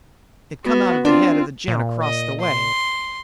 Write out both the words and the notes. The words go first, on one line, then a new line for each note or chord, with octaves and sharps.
It come out of the head of the gent across the way.
B3 F#4
C4 D4 F4
A#2
D#5
C6